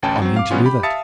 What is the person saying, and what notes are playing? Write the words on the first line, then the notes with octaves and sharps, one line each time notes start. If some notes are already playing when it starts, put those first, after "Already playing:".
'I mean to do that.
A1 D2 C#4 G5 A5
F#3 C4
F5 D6
B2 E3 G3 B3 C#4 F4
G4 B5
E5 F5 A5 D#6 A6 C#7